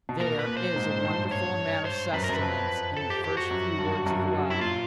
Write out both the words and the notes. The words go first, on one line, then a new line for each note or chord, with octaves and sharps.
There is a wonderful amount of sustenance in the first few words of love.
B2
A#2 A#4
B4
A#2
C5
G#2
G2
C#5
C5
F#2 B4
A#4
F#2
B4
F2
A4
G4
G4
F#4
F#2
G2
F#2
G2
E4
A#2 F4